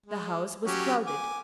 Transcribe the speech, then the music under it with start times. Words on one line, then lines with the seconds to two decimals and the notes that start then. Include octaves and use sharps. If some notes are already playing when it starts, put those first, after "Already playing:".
The house was crowded.
0.06 G#3
0.65 F#3 C#4 G4
1.07 G#5 D6